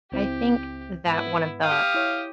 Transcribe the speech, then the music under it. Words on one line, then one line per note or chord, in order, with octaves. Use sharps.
I think that one of the
C#2 C4 E4 G4
G#2 B3 E4
G4 F5 D#6
E4 C#5